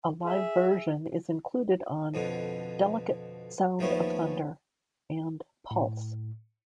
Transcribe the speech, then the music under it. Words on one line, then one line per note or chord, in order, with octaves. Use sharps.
A live version is included on "Delicate Sound of Thunder" and "Pulse".
G#4 E5
F2 B2 D3
D#2 F3 A3 B3 C#4
A2